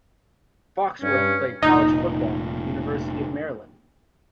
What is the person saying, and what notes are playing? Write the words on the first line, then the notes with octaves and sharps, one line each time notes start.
Foxworth played college football for the University of Maryland.
G2 C#4
F1 A#2 D#4